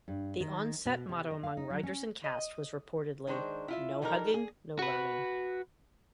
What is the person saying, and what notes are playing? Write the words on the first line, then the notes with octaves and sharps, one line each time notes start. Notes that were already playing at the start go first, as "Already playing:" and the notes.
The on-set motto among writers and cast was reportedly No hugging, no learning.
G2
D#3
B2
C3
D#5
F5
D#4
F#3
C#4
D#5
D#3 G#3 D4 C5 C#5
E4 F4 E5
E3 G3 D#4 A4 A#4
G#4
F#4 B4